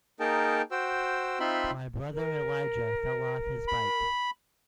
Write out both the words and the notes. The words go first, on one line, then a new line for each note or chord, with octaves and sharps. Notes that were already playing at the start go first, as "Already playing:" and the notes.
My brother Elijah fell off his bike.
A#3 D#4 G#4 A#4 G5 A5
F#4 C5 G5 E6
C4 D#4 F4 E5 B5 C6
A#4
B5